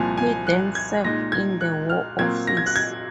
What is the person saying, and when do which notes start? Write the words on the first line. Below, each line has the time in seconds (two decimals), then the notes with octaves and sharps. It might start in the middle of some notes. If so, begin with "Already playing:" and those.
He then served in the War Office.
Already playing: C2 A#2 F3 G#5
0.18 G#5
0.47 F#6
0.75 G#6
1.04 A#2 G#3 D#4 A#6
1.32 G#6
1.61 F#6
1.89 F6
2.18 A#2 F#3 C4 F4 A#4 G#6
2.47 A#6
2.57 G#6
2.66 F#6
2.76 G#6